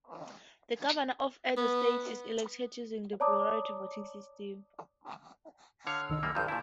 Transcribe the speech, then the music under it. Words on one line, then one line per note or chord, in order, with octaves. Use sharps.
The Governor of Edo State is elected using the plurality voting system.
B3
C#5 D5 A5 A#5 D6 D#6
D3 C#5 F5 F6
C2 D#3 D#5 E6
F#2 G3 A#3
A#1 G2 F3 A#5 E6 G6
A#2 E4 A5